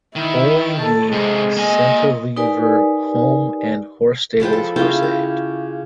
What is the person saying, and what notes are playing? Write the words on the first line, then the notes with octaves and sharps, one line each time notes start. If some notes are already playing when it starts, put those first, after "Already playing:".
Only the Centlivre home and horse stables were saved.
D#3 E4
A4
G#2 C3 G#3
A#3 D#5 G#5
D#4 G4 A#4 B4 D5 G#5
F3 G#3 B4 G5
A4
C#3 E4 F4 G5
G4